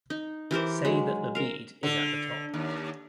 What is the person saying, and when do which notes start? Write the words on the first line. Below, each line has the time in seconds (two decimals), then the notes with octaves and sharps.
Say that the bead is at the top.
0.10 D#4
0.51 E3 G4 A#4 C5
0.85 F#3 G#3
1.35 A#4 F5
1.83 D3
2.54 D#2